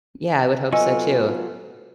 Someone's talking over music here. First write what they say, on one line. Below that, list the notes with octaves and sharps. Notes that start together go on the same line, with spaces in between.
Yeah, I would hope so too.
F#3 B3 F4 A4 D#5 G#5 C#6 E6